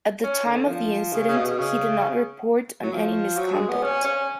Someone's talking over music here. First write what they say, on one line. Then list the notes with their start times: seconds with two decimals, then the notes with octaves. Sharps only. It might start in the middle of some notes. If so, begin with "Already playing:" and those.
At the time of the incident, he did not report on any misconduct.
0.23 C#4
0.46 D3
0.68 F3
1.13 C#3
1.28 C#3
1.36 B2
1.59 C#3
2.83 F#3
2.93 F3
3.37 F#3
3.53 G#3
3.68 B3
3.83 C#4
4.05 C#4